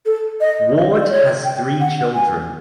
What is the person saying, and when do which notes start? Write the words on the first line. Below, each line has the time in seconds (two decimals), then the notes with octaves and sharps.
Ward has three children.
0.06 A4
0.41 D#5
0.75 D#5
1.03 D5
1.11 C#5
1.45 G5
1.81 F#5
2.15 G#5